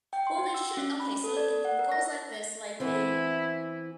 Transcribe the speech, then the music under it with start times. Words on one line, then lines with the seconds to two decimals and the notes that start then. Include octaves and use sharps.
Well, they should okay, so it goes like this, like, they
0.13 G5
0.27 C6
0.38 F#4
0.54 E6
0.77 C#4
1.00 B5
1.24 A4
1.37 D5
1.65 F#5
1.79 A#4
1.92 A#6
2.80 E3 B3 C4 E4